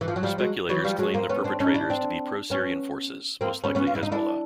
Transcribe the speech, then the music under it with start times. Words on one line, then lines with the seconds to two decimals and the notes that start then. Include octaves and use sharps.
Speculators claim the perpetrators to be pro-Syrian forces, most likely Hezbollah.
0.01 E3
0.08 F3
0.16 F#3
0.23 F3 G3
0.38 F#3 G#3
0.69 E3 F#3
0.84 F3 G3
0.99 F#3 G#3
1.14 A#3 C4
1.29 B3 C#4
1.44 C4 D4
1.60 C#4 D#4
1.74 D4 E4
1.90 C4 D4
2.50 B3 C#4
3.41 A#3 C4
3.64 B3 C#4
3.75 B3 C#4
3.87 F4
3.95 E4
4.03 D#4
4.12 D4 E4